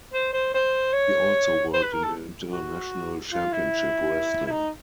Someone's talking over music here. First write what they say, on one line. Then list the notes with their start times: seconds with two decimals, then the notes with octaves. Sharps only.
He also worked in International Championship Wrestling.
0.13 C5
0.33 C5
0.54 C5
0.93 C#5
1.74 C5
1.83 B4
1.93 A#4
2.03 A4
2.52 F#4
3.32 F4
3.52 E4
4.46 E4
4.51 D#4